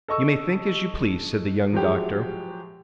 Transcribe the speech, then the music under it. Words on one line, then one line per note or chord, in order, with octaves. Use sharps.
"You may think as you please," said the young doctor.
A4 D#5 C#6 E6
F3 F#3 G#3 G4